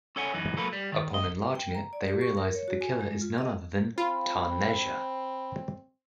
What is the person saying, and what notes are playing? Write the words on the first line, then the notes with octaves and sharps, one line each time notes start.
Upon enlarging it, they realize that the killer is none other than Tarneja.
C#4 A4 C#5 F#5 G#5
F#2 E3 D#4
F#3 A3 A#3 A4 B4
G3
D#3
D#5
G5
A#5
D5
G4
C#6
A#4
C#5
F#4
G#5
G#3
F4
D#5
C4 F4 B5